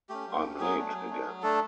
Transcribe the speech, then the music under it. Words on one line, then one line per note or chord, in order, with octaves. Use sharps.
I’m late again!
A3 C#4 G4
F#3
A3 C#4
F#3 G#4
A3 D4
F#3
A3 D4
F#3
A3 D4 A4